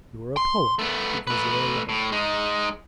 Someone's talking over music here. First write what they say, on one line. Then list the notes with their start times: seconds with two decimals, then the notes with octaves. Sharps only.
You are a poet because you are low.
0.37 C6
0.79 A3 B3
1.27 A3 B4
1.89 A2
2.12 G#3 D#4